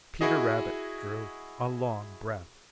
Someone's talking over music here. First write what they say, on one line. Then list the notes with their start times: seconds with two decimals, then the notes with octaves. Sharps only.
Peter Rabbit drew a long breath.
0.21 E4 F#4 G#4 D#5